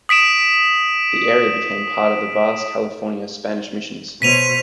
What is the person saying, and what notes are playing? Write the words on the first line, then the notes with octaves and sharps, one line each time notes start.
The area became part of the vast California Spanish missions.
D#6 B6 D7 E7
B2 C5 C#5 B6 D#7 F7